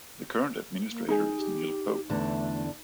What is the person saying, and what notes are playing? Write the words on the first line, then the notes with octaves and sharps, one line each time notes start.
The current Administrator is Neil Pope.
A#3
G#3 D#4 G#4 G#5
G4
E2 D3 A3 D4